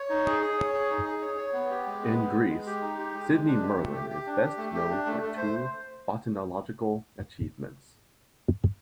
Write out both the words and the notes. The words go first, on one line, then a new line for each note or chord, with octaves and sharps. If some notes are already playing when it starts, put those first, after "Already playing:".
In Greece, Sidney Merlin is best known for two botanological achievements.
Already playing: C#5
D#4
G#4
G#4
C#5
G#4
D#4
G#4
C#5
C#5
B3
G4
G#3
B3
G#3
G#3
G#3
G4
D#4
G4
G#3
G#3
D4
G4
A3
G4
G4
D4
G4
A3
G4
D4
A3
A3
C5